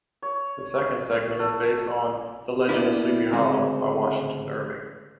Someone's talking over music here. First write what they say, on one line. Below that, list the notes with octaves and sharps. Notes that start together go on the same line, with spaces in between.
The second segment is based on "The Legend of Sleepy Hollow" by Washington Irving.
C#5
A4
A#3 B3 D4 E4
D2 C#3 G#3 C4 C#4